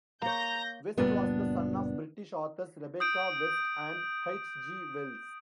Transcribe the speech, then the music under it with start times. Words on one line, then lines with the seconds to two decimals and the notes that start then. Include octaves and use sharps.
West was the son of British authors Rebecca West and H. G. Wells.
0.22 A#3 C#5 A#5 G6 A#6
0.97 F#1 A#2 G3 B3 D4
3.00 D#6 G6 D7